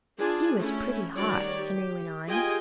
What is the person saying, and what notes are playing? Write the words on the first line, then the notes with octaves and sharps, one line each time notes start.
"He was pretty hot," Henry went on.
D4 F4 G#4 G#5
A3 C#4 E4
D#3 G3 F#4 C#5 D5
G4
F4 G4 G#4 D#5 G5 G#5